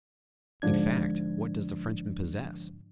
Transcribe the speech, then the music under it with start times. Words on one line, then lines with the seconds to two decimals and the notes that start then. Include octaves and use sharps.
In fact, what does the Frenchman possess?
0.62 G#2 D3 F3 D4 G#6